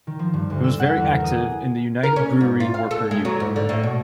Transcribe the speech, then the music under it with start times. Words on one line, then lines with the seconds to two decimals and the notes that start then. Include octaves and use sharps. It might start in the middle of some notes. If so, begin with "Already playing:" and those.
He was very active in the United Brewery Worker Union.
0.07 D#3
0.19 F3
0.34 G2
0.50 D2
0.64 E6
0.80 F#5
0.97 E2
1.11 A#4
1.24 D#6
1.38 G#4
2.03 A#4
2.16 C#4
2.41 G#2
2.60 F4
2.74 F5
2.91 A4
3.11 G#3
3.25 F#3
3.40 G#2
3.56 D3
3.69 A2
3.83 B2